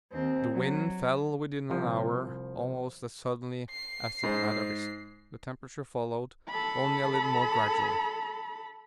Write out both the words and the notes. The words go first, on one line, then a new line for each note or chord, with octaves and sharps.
The wind fell within an hour almost as suddenly as it had arisen; the temperature followed, only a little more gradually.
D#2 C4
F#3
C2 F3
C7
G#2 C5
A4 B5